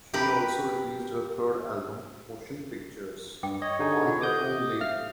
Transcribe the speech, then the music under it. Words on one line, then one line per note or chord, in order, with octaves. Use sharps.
She also released her third album "Motion Pictures", on her own label.
G4 A#4 B4
G2 G5 D6
C#5 D#5
D3 D#4 G4 G#4
F4 F#5
G4 A4 C5 D#5 D6 D#6 G6
E5 F5 F6